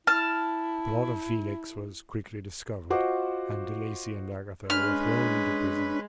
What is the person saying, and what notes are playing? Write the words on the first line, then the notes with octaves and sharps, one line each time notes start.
The plot of Felix was quickly discovered, and De Lacey and Agatha were thrown into prison.
E4 A5 F6
F4 F#4 C5 D#5 F#5 D6
G#3 C#4 D4 B4 B5 F6